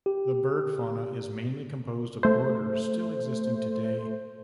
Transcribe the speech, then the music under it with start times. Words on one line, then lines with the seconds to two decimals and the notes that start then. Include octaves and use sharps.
The bird fauna is mainly composed of orders still existing today.
0.06 G4
2.23 A3 C5